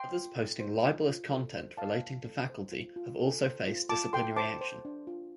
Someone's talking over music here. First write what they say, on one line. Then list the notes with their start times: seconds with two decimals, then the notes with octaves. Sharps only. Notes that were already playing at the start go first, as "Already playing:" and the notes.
Others posting libelous content relating to faculty have also faced disciplinary action.
Already playing: G5 C6
0.13 F4
0.36 A4
0.60 C5
0.84 F4
1.08 F4
1.31 A4
1.55 C5
1.77 F4 F5 A5
2.02 F4
2.26 A4
2.49 C5
2.72 F4
2.96 F4
3.20 A4
3.42 C5
3.67 F4
3.89 F4 A5 D6
4.13 A4 G5 C6
4.37 C5 A5 D6
4.61 C5
4.85 D4
5.07 F4